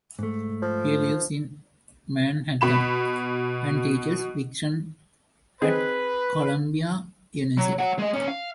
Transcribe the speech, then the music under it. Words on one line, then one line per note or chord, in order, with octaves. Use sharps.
He lives in Manhattan and teaches fiction at Columbia University.
G#2 A3
F3
B2 B5 E7
C4 D#4 G#4 B4
F#3
C#5 F#5
G#3 D#5
A#2 C#4
F5